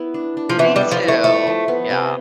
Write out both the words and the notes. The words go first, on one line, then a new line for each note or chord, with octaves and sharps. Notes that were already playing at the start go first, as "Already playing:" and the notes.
Me too, yeah.
Already playing: B3 E4
D4
D4
F3
E3 B3
G3
A4
F3
E4
A3
F3 A3
F3
B3
C3